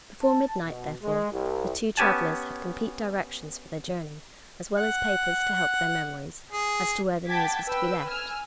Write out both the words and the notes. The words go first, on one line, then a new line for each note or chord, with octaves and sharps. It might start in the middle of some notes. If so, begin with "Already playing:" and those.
Before midnight, therefore, the two travellers had complete directions for their journey, as well as papers to help their memories, as to where the news was to be left.
A5
B2
G#3
C2
B3 C#4 G4 G#5 A5
F#5
G#4
F#5 G5 A5 D6 G#6 B6
B4 G5 E6
G#5 E6 F6